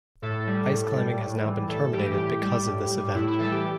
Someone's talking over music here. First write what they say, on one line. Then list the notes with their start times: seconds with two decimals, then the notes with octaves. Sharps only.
Ice climbing has now been terminated because of this event.
0.22 A2 A4
0.47 G3
0.71 A2
0.96 G3
1.20 A2
1.44 E3 G3
1.68 A2 A4
1.93 E3 G3 G4
2.17 A2 G4
2.42 G3
2.66 A2
2.90 G3
3.14 A2 E4
3.27 E4
3.38 E3 G3 A4
3.51 G4